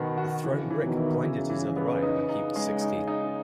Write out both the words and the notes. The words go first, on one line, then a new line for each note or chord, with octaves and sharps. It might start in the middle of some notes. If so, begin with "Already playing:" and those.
A thrown brick blinded his other eye when he was sixteen.
Already playing: B2 D#3 F#4
F#4
C#3 E3
E3
B2 D#3
E4
C#3 E3
E3
B3
D#4
D#4
G#3
D#4
D#4